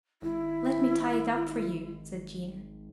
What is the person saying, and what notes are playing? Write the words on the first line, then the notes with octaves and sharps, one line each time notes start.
"Let me tie it up for you," said Jean.
G#1 E4